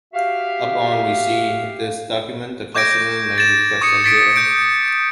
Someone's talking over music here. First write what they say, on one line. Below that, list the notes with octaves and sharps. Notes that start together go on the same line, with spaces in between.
Upon receipt of this document, the customer may request a hearing.
F#4 G4 E5 F5
C#6 D6 G6 G#6 A#6 D7
A6 E7
C#6 D#6 A6 C#7
A6 B6 D7
G6 D7